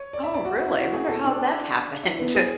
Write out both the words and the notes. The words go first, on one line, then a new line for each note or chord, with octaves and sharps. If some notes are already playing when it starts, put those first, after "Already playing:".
Oh, really? Wonder how that happened.
Already playing: C#5
D5
E5
D5
F#4
F#4
E4
F#4
G#4
A4
D4
E4
B3
G#4